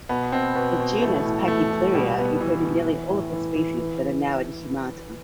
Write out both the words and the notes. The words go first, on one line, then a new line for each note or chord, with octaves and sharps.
The genus "Pachypleuria" included nearly all of the species that are now in "Humata".
B2 B3
B2 C4
B2 B3
B2
E3 A3
A2
E3 A3
E3
B2 G3
B2 B3
B2 E3
B2
E3
A2
E3
E3
E3